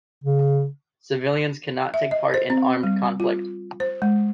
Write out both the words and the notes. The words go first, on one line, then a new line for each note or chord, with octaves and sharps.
Civilians cannot take part in armed conflict.
C#3
E5
D#5
C5
C4
G3
F4
C5
G#3